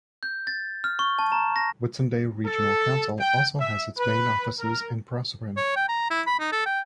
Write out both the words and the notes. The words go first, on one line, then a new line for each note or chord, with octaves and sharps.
Whitsunday Regional Council also has its main offices in Proserpine.
G6
A6
F6
C#6
A5
A#5
A#6
A4
G5
E5
B4
A#4
C#5
G5
A#5
E4
B5
D#4
A4
G5